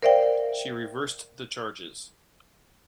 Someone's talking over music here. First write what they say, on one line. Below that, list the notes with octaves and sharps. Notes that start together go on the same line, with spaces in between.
She reversed the charges.
A#4 C5 D5 E5 F5 G5